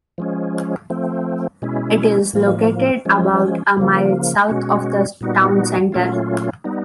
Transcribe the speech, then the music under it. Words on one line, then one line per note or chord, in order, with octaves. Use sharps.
It is located about a mile south of the town centre.
F3 G#3 C#4
F3 A3 C4
B2 G#3 C#4 E4
A2 F3 A#3
F3 G#3 C#4
C#3 F3 A#3
B2 G#3 C#4 F#4
A#2 G3 B3 D#4 F#4
A#2 F#3 A3 C#4 F4
G3 B3 D#4